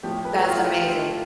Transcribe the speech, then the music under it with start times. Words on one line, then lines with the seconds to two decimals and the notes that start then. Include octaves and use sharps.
That's amazing.
0.03 A2 F3 G4
0.25 B4
0.34 A4
0.41 G4
0.48 F4
0.57 E4
0.74 F4